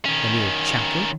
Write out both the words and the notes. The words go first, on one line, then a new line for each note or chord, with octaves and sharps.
"A mere chattel."
D#3 C#4